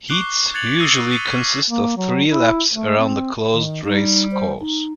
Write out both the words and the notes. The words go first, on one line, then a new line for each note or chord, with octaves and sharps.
Heats usually consist of three laps around a closed race course.
C#6 D6 F#6 C7 G7
F#6 G#6 A6 C#7 F7 F#7
D#6 E6 A#6 C7 D#7
A6 B6 C#7 D#7 F7 G7
C#6 F6 B6 D#7
A#3
F#3
E4
A3
C4
D#3
G3 D#4
C5
D#4